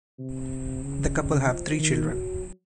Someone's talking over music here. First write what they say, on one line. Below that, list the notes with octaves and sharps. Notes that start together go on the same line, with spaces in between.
The couple have three children.
C3
C#3
F3
D#3
F#3